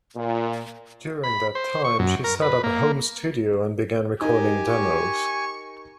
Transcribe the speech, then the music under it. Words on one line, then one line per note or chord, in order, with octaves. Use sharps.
During that time she set up a home studio and began recording demos.
A#2
B5
C5
C#6
F#2
A#4
B4
A#3
D#4 G4 A#4 D#5 G#5
C#6